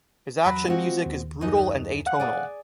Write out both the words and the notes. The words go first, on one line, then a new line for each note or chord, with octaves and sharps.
His action music is brutal and atonal.
E2 F#3 B5
G#3 C4 F4 F#4
D#2
F#2 D#4
F5 F#5 F#6
G#4 D5